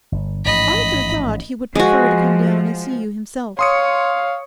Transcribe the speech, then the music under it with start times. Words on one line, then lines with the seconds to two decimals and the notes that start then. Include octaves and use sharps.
'Arthur thought he would prefer to come down and see you himself.'
0.12 G1
0.45 A1 G#2 F3 D#5 B5
1.75 F3 G#3 F#4
3.59 C#5 F5 C6 D#6 C#7